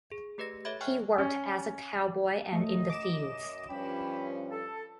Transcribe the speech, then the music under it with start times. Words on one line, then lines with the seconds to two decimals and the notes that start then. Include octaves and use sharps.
He worked as a cowboy and in the fields.
0.12 G#4
0.38 A3 G4 B4 D#5 A#6
0.65 A4 C#5 D#5 E5 B5 G#6
0.81 G5 G#5 C#6 F6 F#6
1.18 C#4
2.53 F#2 A3 D#5
2.90 D6 E7
3.69 G2 F3 C#4 G5 B5
4.51 A4